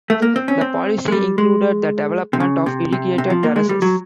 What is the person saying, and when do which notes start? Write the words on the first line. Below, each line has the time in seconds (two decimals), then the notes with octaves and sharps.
The policy included the development of irrigated terraces.
0.10 A3
0.22 A#3
0.36 C4
0.48 C#4
0.61 C4
1.08 G#3
1.12 G3
1.38 G#3
2.33 C3
2.40 C#3
2.66 C3
2.93 C3
3.18 C3
3.30 F3
3.43 A#3
3.56 G#3
3.69 G3
3.82 F#3